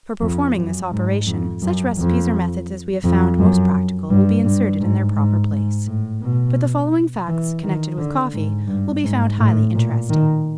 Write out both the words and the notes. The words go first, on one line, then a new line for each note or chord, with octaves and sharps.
For performing this operation, such recipes or methods as we have found most practical will be inserted in their proper place; but the following facts connected with coffee will be found highly interesting.
F2
F#2
G#2
F2
F#2
F2
F2
F#2
G2
G2
G#2
G#2
G#2
A2
B2
E3
D#3
D3
G#2
G2
G#2
A2
A#2
D#3